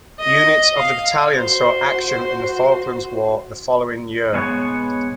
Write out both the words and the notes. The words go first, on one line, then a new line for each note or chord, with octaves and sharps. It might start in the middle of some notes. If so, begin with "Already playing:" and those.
Units of the battalion saw action in the Falklands War the following year.
D#5
F5
F#4 C5
G#2 B2 G#3 B3 C#5